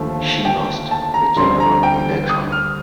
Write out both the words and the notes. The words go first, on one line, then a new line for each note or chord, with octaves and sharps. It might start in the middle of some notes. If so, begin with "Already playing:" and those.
She lost the general election.
Already playing: D#2 D3 F3 A3
G5
A5
A#5
D2 D3 G3 C4 C6
A#5
G5
D#6
F6